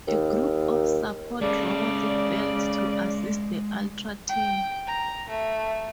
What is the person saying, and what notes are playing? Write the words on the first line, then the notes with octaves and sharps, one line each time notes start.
A group of support robots built to assist the Ultra Team.
D#2
C#3 G#3 A4 D5
G5
A#5
A3